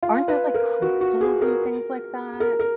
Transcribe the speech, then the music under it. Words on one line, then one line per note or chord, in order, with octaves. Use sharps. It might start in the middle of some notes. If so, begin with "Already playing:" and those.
Aren't there, like, crystals and things like that?
F4
B4
A#4
F#4
F#4
G#4
A#4
A#4
A#4